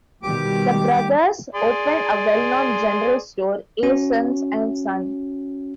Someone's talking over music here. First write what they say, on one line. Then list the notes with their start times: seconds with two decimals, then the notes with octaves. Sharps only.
The brothers opened a well-known general store, A. Sones and Son.
0.23 B2 D#3 G3 G4 D6
1.55 G#4 D5 C6
3.83 C#4 F#4